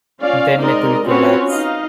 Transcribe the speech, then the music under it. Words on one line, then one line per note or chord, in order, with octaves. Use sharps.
Then it will collapse.
C#4 F4 D5 F5
G#3 C4 D#4 A#4 D5 D#5
C4 C#4 F4 F#4 B4 C#5
D#4 D#5 F5